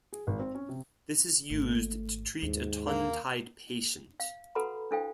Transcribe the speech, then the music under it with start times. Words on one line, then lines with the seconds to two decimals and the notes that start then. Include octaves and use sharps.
This is used to treat a tongue tied patient.
0.13 G#4
0.27 G#1
0.39 C4
0.55 C#4
0.69 C3
1.50 G#1 G#2 A3
2.42 D#2 G#2
2.87 A#3
4.20 F5
4.55 F#4 A4 B4 F#5 A#5 B5
4.91 D4 E4 A4 C5 F5 G5